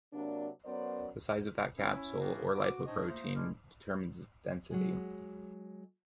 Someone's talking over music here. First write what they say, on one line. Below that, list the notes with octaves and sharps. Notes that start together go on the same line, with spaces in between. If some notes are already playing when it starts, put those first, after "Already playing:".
The size of that capsule, or lipoprotein, determines its density.
C3 F#3 A#3 D4
F#3 B3 C#4 A#4 C5 D5
C#4 E4
E3 F3 G3 A#3 B3 C#4
F#4 D6
C4 D4 D#4 C#5 D#5
F3 A3 A#3 D#4 C5 E5
G#3 D4 E4 C5 D5 F6
F#3 G#3